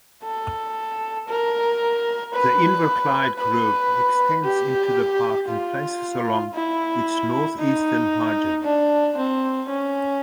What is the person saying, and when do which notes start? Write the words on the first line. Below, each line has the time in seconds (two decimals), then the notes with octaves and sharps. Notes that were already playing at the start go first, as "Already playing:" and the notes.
The Inverclyde Group extends into the park in places along its northeastern margin.
0.23 A4
1.29 A#4
2.34 B4
3.39 B4
4.44 G4
5.49 F4
6.54 E4
7.59 D#4
8.64 D4
9.17 C4
9.69 C#4